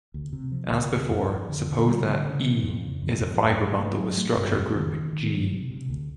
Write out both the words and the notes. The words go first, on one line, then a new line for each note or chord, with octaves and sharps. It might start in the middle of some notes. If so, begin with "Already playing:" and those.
As before, suppose that "E" is a fibre bundle with structure group "G".
D2
C3
F3
D2
D2
F2
F2
D3
D3
G3
D3
C#3
E3
F2
C#3
F2
F2
G2
G2
A3
F#3
A3
G2
F2
D#3
D#3
D#3
F#3
C3
C3
D2